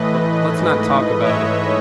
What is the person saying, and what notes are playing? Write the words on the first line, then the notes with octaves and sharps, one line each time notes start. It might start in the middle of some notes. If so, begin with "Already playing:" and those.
But let's not talk about it.
Already playing: A2 E3 A3 B4 D#5
G#2 E3 A3
C#5 E5